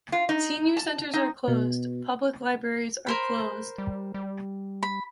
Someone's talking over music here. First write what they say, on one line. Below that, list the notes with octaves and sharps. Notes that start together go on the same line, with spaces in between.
Senior centers are closed. Public libraries are closed.
F4
D#4
A5
D#4
B2
A#4 C5 B5
G3
G3
B5